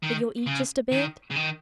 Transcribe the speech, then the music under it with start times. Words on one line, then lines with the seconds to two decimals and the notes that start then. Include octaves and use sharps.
But you'll eat just a bit?
0.03 D#3
0.47 C#3
0.92 D#3
1.31 C#3
1.36 D#3